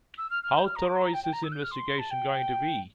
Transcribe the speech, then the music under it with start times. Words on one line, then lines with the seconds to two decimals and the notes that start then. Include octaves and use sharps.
How thorough is this investigation going to be?
0.17 E6
0.30 F6
0.42 F6
0.56 G6
0.65 F6
0.75 A#5
0.85 D6
0.95 C6
1.04 A#5
1.13 G5
1.23 G5
1.32 A#5
1.43 E6
1.51 G6
1.62 F6
1.71 C6
1.98 A5
2.10 G5